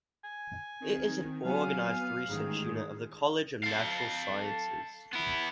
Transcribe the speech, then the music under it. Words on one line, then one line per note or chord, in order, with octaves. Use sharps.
It is an organized research unit of the College of Natural Sciences.
G#5
D#3 C4
F#3 B3 F5 G#5
A1 G#2 D#3 G#4
A4 F5
B3 E4